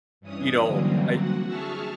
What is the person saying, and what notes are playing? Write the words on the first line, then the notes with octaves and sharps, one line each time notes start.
you know, I
G2 E3 C#4 D#6
D3 E3 F#3 G3 A#3 C4
F#4 F#5
G#4 E5 A5 C#6 F6